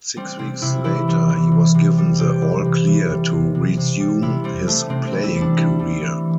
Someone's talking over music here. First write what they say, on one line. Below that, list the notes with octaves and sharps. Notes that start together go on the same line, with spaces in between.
Six weeks later, he was given the all-clear to resume his playing career.
G3 C4
C3 C4
C3 E4
E3 E4
G3
E3
C3
C3
G3
C3 G4
E3
C3
E3
G3
C3
C3
C3
G3
C3 E4
G3 C4
C3 A3
C3 C4
C4
E3
E4
G3
D4
G3 E4
G3
E3